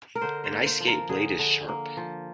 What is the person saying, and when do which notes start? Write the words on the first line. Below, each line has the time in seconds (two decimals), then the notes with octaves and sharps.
An ice skate blade is sharp.
0.15 A#4
0.21 D3 C5
0.44 C5
0.51 A#3
0.66 C5
0.80 F3
0.87 A#4
1.09 D3 G#4
1.39 D3
1.68 A#3
1.97 F3